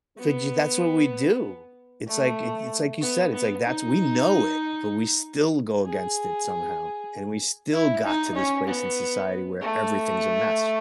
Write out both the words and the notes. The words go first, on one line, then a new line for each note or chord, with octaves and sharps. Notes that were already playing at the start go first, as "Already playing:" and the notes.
F j that's what we do. It's like i it's like you said, it's, like that's we know it, but we still go against it somehow and we still got to this place in society where everything's a mess,
B3
A3
B3
B3
D#4
G#4
E4
D#4
C#4
B3
A3